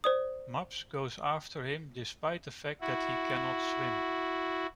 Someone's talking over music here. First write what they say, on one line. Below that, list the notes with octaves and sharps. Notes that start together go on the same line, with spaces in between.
Maps goes after him despite the fact that he cannot swim.
C5 D5 D#6
E4 F#4